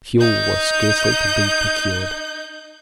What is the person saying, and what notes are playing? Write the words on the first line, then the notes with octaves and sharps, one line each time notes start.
Fuel was scarcely to be procured.
D#4 G6